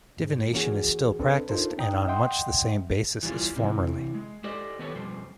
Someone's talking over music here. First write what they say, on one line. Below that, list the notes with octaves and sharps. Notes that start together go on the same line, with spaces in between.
Divination is still practiced and on much the same basis as formerly.
F2 G#2
E3 A#3 C#4 F#4 G#4
C4 D4 A4 B4
D4 D#4 F4 A4 A#4 C5
C#4 D#4 G5 A#5 D#6
D#5 E5 F#5 G5 C6 D#6
E3 G3 F4
C3 E3
G#3
G4 A4 C5 D5 D#5
D#3 B3 G4 A4 B4 C#5
F2 B2 G3 C5